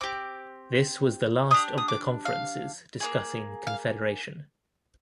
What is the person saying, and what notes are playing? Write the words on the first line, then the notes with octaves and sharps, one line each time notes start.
This was the last of the conferences discussing Confederation.
C4 G4 D6
D4 G4 D#6
D#6
D6
F5
A#3 D4 G#4
F5